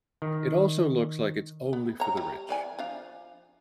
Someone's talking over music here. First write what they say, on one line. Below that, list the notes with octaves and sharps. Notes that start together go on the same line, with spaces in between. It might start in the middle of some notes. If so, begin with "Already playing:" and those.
it also looks like it's only for the rich.
D#3
B3
C#5 A#5
G3
E3 D5 G#5
F3 D4 F5